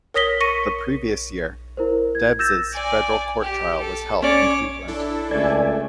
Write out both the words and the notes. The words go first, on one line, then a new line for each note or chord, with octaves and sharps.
The previous year, Debs's Federal Court trial was held in Cleveland.
A#4 C#5 D#6 A#6 B6 G7
C#6 A#6 B6 C#7 D#7
E4 A#4 C5
G#6
E6 G6 A6 A#6 E7
D5 G#5
G4
A4
C#4 C#5 D5 D6
D4 E4 A4
C#2 A3 D5 G#5